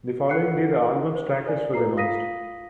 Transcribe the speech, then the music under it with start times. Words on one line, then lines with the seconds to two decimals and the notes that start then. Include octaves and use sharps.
The following day the album's track list was announced.
0.29 A4 F#5 F#6 C7 C#7
1.15 C5
1.46 A#4 C5 D5 G#5
1.74 A4 B4 A#5 C7
1.96 F4 F5 D#6 A#6 B6 D#7